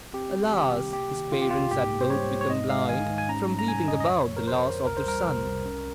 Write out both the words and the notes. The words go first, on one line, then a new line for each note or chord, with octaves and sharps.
Alas! his parents had both become blind from weeping about the loss of their son.
C4 G4
G3
D#3 G4
C3
A#3 G4
D#3
C3 F4
G4
C2 F4
G#2 G4
A#3
C5
G3 C#5
G#2
C#5
G#2 D#5
G#3 F5
D#3 G#5
G#2
G#5
C#4 A#5
G3
A#5
C3 G#5
F2 D#5
D#5
F2 C#5
F3
A#4
C#3 C5
F2
C2 A#4
C5
G3 A#4
C3
C2
C#4